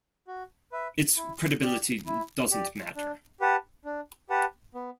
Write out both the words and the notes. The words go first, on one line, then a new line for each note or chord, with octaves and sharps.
Its credibility doesn't matter.
F#4
B4 E5
E4
G4 D5
E4
G4 D5
D4
G4 B4 F#5 A5
D4
G4 B4 F#5 A5
B3